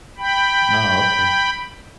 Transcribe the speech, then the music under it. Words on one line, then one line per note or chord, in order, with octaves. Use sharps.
Oh, okay.
G5 B5